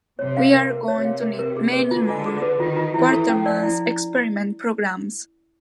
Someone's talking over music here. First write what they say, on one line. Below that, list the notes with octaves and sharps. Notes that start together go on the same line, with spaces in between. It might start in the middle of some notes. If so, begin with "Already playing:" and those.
We are going to need "many" more 'Quatermass Experiment' programmes.
C3 C#5
F5
A#4
A#4
C3 C#5
F5
A#4
A#4
G#4
B4
D3 F4
F4
G#4
B4
D#3 F4
F4
E3 E4
A4
F3 C#4
D5
E4